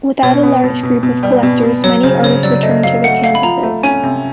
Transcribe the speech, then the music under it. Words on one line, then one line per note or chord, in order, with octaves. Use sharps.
Without a large group of collectors many artists returned to their canvases.
B2 C#5
B3
B2
B2
B2
G3
B2
B2
F#3 C#5
C#3 C5
C#3 C#5
F#3 D5
A3 D#5
F#3 F5
A3 F#5
A3 F5
B5
F3 A#5
A3
C#4 G#5
C3